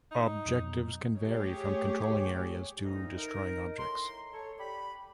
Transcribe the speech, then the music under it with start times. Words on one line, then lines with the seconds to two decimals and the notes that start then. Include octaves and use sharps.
Objectives can vary from controlling areas to destroying objects.
0.11 D#4
0.45 F2 B2 F#3
1.18 A3 G4 G#4 C#5
2.84 D2 D#4
3.17 D#4 A#4
3.79 A2 A#5 C6
4.32 A4 C#5
4.59 G4 D5 B5